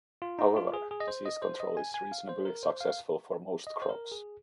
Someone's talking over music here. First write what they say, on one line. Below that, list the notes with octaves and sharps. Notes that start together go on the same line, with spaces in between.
However, disease control is reasonably successful for most crops.
F4
D#4
F4
G#4
G#4
D#5
C5
D#5
C5
D#5
G#5
G#5
F5
C5
A#4
C5
F5
D#5
C5
A#4
G#4